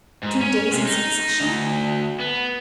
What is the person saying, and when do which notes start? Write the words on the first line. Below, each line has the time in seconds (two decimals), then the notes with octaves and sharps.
Two days in succession!
0.23 G#2
0.41 C#4
0.72 C3
0.87 D#4
1.40 D2
2.20 B3